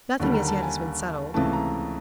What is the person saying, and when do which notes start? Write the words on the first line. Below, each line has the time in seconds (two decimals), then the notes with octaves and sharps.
Nothing as yet has been settled.
0.20 D#2 D3 G3 A#3
0.34 A#5
0.48 A5
0.63 G#5
1.34 C#2 C3 E3 A3 A5
1.53 A#5